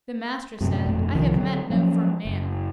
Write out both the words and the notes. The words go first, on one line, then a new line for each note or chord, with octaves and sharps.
The Master said, I have met no firm man.
F#2 A2 C3
G1 F2 B2 A3
C2 D#3 F3
D3 F#3 C4
F3 F#3 A#3 C#4
F#1